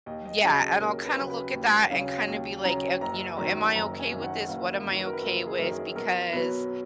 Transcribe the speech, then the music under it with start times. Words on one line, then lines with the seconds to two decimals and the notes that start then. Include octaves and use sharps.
Yeah, and I'll kinda look at that and kinda be, like, i you know, "Am I okay with this? What am I okay with?" Because,
0.06 D#2 D#5
0.25 D#5
0.44 C#3 F#3 G#4
0.62 G#4
0.80 D#2 A#4
1.05 B4
1.16 C#3 F#3
1.30 B4
1.54 D#2
1.90 C#3 F#3 F5
2.28 D#2
2.64 C#3 F#3 A#5
3.01 F#1 A#5
3.37 F#2 D#3 A#5
3.75 F#1 A#5
4.00 G#5
4.11 F#2
4.17 D#3
4.24 F#5
4.48 F#1 F5
4.73 A#4
4.85 F#2 D#3
4.97 B4
5.05 A#4
5.13 B4
5.22 F#1 A#4
5.47 G#4
5.59 F#2 D#3 A#4
5.72 G#4
5.95 B1 A#4
6.33 B2 F#3 B4